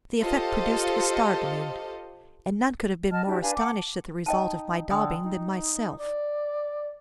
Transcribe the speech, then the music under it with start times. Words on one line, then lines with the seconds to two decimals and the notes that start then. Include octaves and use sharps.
The effect produced was startling, and none could have been more astonished at the result of my daubing than myself.
0.21 F4 G4 A4 C5 D#5 F5
3.11 D#5 F#5 A5 F6
3.26 D4 E4 F#4 G4
3.41 D4 B4 F5 G#5
3.56 F#5 A5 D6
4.26 D#4 D#5 G5 A5
4.90 D3 G5 G#5 D#6
5.24 D#4
5.98 D5